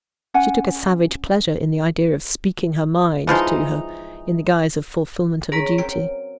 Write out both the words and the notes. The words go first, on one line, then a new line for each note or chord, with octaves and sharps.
She took a savage pleasure in the idea of 'speaking her mind' to her, in the guise of fulfilment of a duty.
C#4 F#5 G#5
E3 F3 G#3 D#4
C#4 G#4 A#5 B6
F#3 C4 A#4 D7